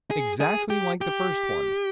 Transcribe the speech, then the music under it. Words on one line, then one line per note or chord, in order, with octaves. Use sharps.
Exactly like the first one.
G#4
G#4
G4
G4